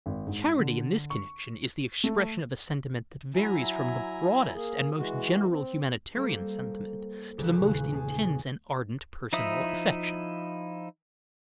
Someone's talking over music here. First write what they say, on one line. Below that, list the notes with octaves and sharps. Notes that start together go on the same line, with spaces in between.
Charity in this connection is the expression of a sentiment that varies from the broadest and most general humanitarian sentiment to the most intense and ardent personal affection.
G#1
G#2
D3
C#6
A3
F#3 E4 E5 G#5 A#5
A#3 G#4
E3 G#3 F#4
C4
G3 A#3 A4 C5
F1 C#2 A#3 G4 B4
D#1 E2 C#3 F#6
G#4 G#5 A5
F3 D#4 E4 E5 D#6